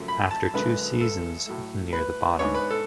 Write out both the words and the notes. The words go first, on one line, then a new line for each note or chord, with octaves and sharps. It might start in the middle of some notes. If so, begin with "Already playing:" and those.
After two seasons near the bottom.
Already playing: F#2 C#3 F3 A3
B5
A5
G#1 F#2 D3 G#3 B4
A4
A2 F#3 A3
B4
G#2 G#3 B3 D4 C#5
B4
A4